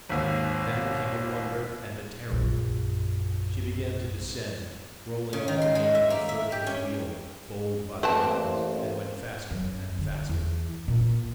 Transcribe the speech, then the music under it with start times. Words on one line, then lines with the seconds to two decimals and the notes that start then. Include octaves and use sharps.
Then came a wonder and a terror: she began to descend rolling like the nave of Fortune's wheel bowled by the gods, and went faster and faster.
0.09 G#1 D#2
2.30 A#1 F#2
5.33 C#3
5.48 D#3
5.62 C6
5.75 G#3
5.95 E5
6.10 A#3
6.29 E5
6.52 G4
6.67 C#4
8.03 A1 A#3 C4 B4 C5 A5
9.51 F#2
9.98 D3
10.29 E2
10.88 A#2